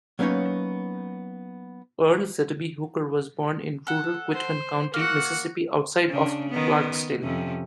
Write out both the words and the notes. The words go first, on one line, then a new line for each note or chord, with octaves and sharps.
Earl Zebedee Hooker was born in rural Quitman County, Mississippi, outside of Clarksdale.
F#3 A#3 B3 C#4 D#4 C#5
A4 F#5
C5
A#3 F#4 F#5
C#3 D4
D#3 B3
F2 C3 C#4